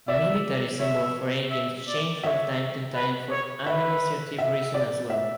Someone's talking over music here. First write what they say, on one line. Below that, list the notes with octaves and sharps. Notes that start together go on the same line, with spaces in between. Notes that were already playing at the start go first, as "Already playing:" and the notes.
Military symbols for agents change from time to time for administrative reasons as well.
D5 E5
C#5 E5
E5
D5
C#5 E5
B4
C#5
B4 E5
E5
D5
E5